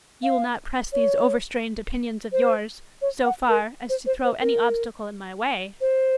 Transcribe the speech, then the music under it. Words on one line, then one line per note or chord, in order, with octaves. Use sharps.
'You will not press these overstrained opinions of yours, so far, as to throw any obstacle in my way?'
F5
C#5
C5
C#5
F#5
A#4
C5
C5
C5
A#4
C5